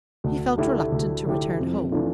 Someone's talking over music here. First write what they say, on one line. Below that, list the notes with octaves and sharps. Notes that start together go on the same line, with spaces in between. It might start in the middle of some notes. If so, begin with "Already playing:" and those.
He felt reluctant to return home.
D2
D3 A3 E4 G4
D2
D3 A3 E4 G4
F2
E3 A3 D4 F4